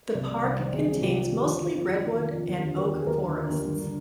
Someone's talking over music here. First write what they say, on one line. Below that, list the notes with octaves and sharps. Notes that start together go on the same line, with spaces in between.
The park contains mostly redwood and oak forests.
C2 D5
C3
C2 C5
D5
D#3 C5
C2 G#4
C3 G#4
F4
C2 G4
D#3 F4
F2 G4
D#3
D#3
F2
F2
D#3
D#3
F2
D#2
D3
D3 A#4
D#2 G4
G#4
D#2 A#4
D3
D3
D#2
G2
D3